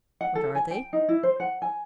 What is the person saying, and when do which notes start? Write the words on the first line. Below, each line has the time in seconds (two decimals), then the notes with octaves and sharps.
What are they?
0.21 F#5
0.35 A4
0.55 G#5
0.71 G5
0.93 D#4
1.09 E4
1.23 C5
1.40 F#5
1.62 G#5